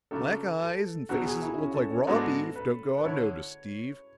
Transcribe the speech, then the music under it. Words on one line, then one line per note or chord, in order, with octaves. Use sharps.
"Black eyes and faces that looked like raw beef don't go unnoticed, Steve."
C#3 F#3 A3 D4 A4
A4
E2 B2 F#3 B3 F#4
G#4
E4
C#4
A4
C#5
G#2 G#3 B3 D4 F#4 A4
B4
B4
D3 A3 E4 C#5